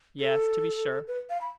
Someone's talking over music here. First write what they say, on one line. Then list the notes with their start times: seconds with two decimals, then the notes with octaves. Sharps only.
"Yes, to be sure."
0.20 A4
1.08 B4
1.30 F5
1.41 B5